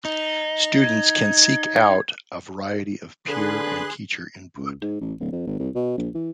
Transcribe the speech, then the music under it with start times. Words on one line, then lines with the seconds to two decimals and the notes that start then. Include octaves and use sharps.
Students can seek out a variety of peer and teacher input.
0.05 D#4
0.80 G#6
3.29 D3 G#4 A4 B4 C6 F#6
4.57 C#2
4.82 G#2
5.01 A1
5.20 D1
5.32 F2
5.47 G#1
5.60 C2
5.76 B2
5.97 A#1
6.15 E3